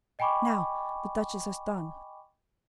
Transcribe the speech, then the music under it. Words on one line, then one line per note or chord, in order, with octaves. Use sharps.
Now--the duchess has done.
D#5 G5 G#5 B5 C#6 D6